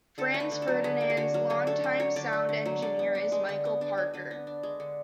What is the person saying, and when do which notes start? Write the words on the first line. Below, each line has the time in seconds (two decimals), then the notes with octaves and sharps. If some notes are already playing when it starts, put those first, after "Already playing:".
Franz Ferdinand's longtime sound engineer is Michael Parker.
0.18 D3 A4
0.34 A3
0.40 B4
0.52 D3
0.62 A4
0.68 F#3
0.84 D3 G#4
1.01 A3
1.10 G#4
1.17 D3 F#4
1.34 F#3
1.50 D3 G#4
1.67 A3 A4
1.84 D3
2.00 F#3 C#5
2.16 D3 D5
2.33 A3
2.49 D3
2.66 F#3
2.82 D3 D5
2.99 B3
3.15 D4
3.32 G#3
3.49 D3
3.65 B3
3.81 D4
3.98 G#3
4.14 D3 B4
4.31 B3
4.47 D4
4.63 G#3
4.80 D3